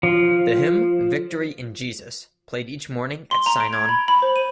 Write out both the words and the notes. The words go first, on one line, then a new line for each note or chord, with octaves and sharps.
The hymn "Victory in Jesus" played each morning at sign-on.
F3
C6
A#5
D7
G#6
B5
B5
C5
D#7